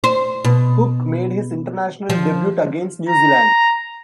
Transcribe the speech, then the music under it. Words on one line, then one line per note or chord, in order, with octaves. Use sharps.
Cook made his international debut against New Zealand.
C5
B2
F3
A#5